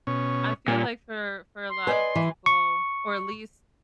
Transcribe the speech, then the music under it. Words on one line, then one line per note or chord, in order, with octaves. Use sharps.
I feel like for for a lot of people or at least
B2 C#4
A#2 G3
C6
B4 D5 D#5 G#5
E3
C#6